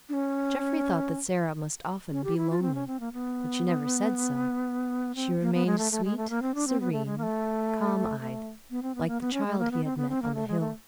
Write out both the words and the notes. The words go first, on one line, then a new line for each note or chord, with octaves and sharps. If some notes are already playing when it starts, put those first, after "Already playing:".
Jeffrey thought that Sara must often be lonely, but she never said so; she remained sweet, serene, calm-eyed, like the child he had met on the hill.
D4
C#4
C#4
G4
E4
F4
C4
C#4
C4
A#3
B3
C4
A#3
B3
G#3
A3
A3
G#3
A3
A#3
C4
D4
C4
B3
A3
G#3
A#3
A3
A3
B3
C4
B3
A#3
B3
C#4
G#3
A#3
B3
C4
B3
C4
A#3
A3
G#3
A3